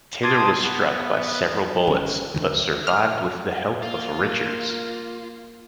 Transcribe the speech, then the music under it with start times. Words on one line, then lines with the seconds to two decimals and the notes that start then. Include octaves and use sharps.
Taylor was struck by several bullets but survived with the help of Richards.
0.23 A5 C6 D6 D#6 G#6
0.63 B3
1.87 G1 C#4
2.34 F2 B2 D3 D#3
2.52 C#2
2.87 F6
3.83 A#3 F4